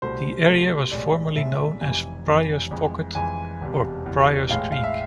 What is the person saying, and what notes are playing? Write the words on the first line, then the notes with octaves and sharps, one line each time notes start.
The area was formerly known as Priors Pocket or Priors Creek.
C2 B2 A3 C5
C2 B2 A3
B1 A2 G#3 D5
B1 A2 G#3 E5
F1 F2 E3 G#5
F1 F2 E3
F2 E3 G#3
F2 E3 G#3 G#5
E1 E2 C3
E1 E2 C3
A1 A2 G#3 F5
F5
E5